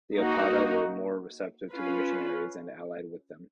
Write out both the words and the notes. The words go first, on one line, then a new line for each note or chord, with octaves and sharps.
The Opata were more receptive to the missionaries and allied with them.
A#3 D#4 F#4
C#4 F4 B4